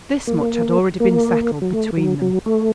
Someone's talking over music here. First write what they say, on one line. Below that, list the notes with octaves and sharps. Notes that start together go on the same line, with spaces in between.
This much had already been settled between them.
A#3
A#3
F#3
A3
F#3
F#3
A3